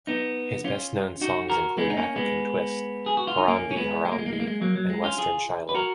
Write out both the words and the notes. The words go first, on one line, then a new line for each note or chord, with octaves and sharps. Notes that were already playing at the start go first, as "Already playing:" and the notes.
His best-known songs include "African Twist", "Harambee Harambee" and "Western Shilo".
B3 D#4
C#4 F4
D#4 F#4
F#4 A#4
G#3 B3
D#4
A#3 C#4
G#3 B3
G#4
F#4
F4
D#4
A#3 C#4
C#4
G#3 B3
G#3
A#3
G#3
A#3
G#3
A#3
G#3
F#3 A#3
F#3
G#3
C#4 F4
F4 G#4
B4
F#4 A#4